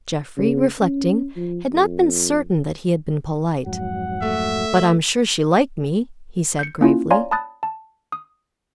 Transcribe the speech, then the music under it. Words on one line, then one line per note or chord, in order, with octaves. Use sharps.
Jeffrey, reflecting, had not been certain that he had been polite; "But I am sure she liked me," he said gravely.
C#3
C#4
F3
F2
F2 G#2 F#3 F#5
A3 E5
G6 C#7
A#3 C#4 E4 F4
C#5 D5 F5 G#5 A#5 C6
A5 B5 D#6 F#6 A6
A5
D#6